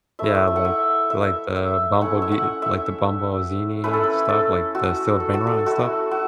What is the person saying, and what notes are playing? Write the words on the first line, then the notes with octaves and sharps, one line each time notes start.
Yeah. Like like the Bumblebee uh, like the bumble zini stuff, like the Steal a Brainrot and stuff.
A3 E4 E5
A5
F#5
E5
E5
E5
A3 C#4 E4 F#5
E5
F#5
E5
A3 C#4 E4 B4
A4
B4
A4
F#4
A4
F#4
A4
A3 E4 F#4
F#4